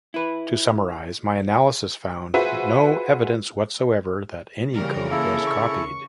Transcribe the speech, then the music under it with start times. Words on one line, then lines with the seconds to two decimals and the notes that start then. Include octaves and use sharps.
To summarize, my analysis found no evidence whatsoever that any code was copied.
0.14 E4 B4
2.34 F4 F#4 G#4 B4 C5 E5
4.73 C#3 E3 G3 A#4
5.11 A#3 E4 G#4 A4
5.47 C#6